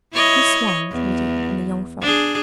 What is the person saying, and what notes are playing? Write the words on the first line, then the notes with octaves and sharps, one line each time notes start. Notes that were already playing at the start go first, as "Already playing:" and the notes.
Two swans meeting on the Jungfrau.
E4 C#5 D#5
E2
D4 G#4